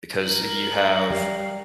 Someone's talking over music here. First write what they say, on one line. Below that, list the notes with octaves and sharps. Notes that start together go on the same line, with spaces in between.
because you have
A#4 F#7
G3 F5